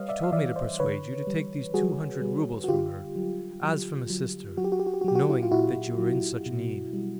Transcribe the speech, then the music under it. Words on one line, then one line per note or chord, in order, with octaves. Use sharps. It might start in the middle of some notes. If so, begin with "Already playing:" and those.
She told me to persuade you to take these two hundred roubles from her, as from a sister, knowing that you are in such need.
Already playing: G3 B4 C#5 D#5 F5
D5 E5
F5
E3 D5 E5
C5 D5
D3 B4 C#5
G3
G3 F#4 G#4
G3
F#4
D3 F4 G4
F#3
F#3
F#3
F#3 F#4
G4
F#4
G4
F#4
G4
F#4
F#3 G4
F#4
G4
E4 F#4
F4
A#2 E4 F#4
F#3
B2
G3